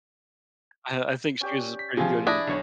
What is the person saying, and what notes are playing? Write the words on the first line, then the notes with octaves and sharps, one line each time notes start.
I I think she was, uh, pretty good in
C#4 G4 D5
B6
C3 F3 F4 G#4 G#5
D4 E4 D#6 A#6
B1 D3 C#5